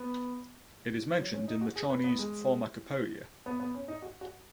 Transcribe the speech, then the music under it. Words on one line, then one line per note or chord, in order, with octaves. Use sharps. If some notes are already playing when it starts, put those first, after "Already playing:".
It is mentioned in the "Chinese Pharmacopoeia".
Already playing: B3
F#3
C#4
D#4
F#4
G#4
B4
B3
G#3
B3
B3
C#4
D#4
F#4
F#4